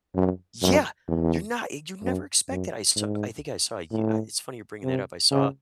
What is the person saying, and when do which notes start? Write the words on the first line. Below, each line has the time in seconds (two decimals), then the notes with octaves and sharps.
yeah, you're not eg you'd never expect that, I saw I think I saw a You Uh, it's funny you're bringing that up, I saw
0.15 F#2
0.62 F#2
1.08 E2
2.03 F#2
2.49 F#2
2.96 G#2
3.91 A2
4.84 C3
5.31 C#3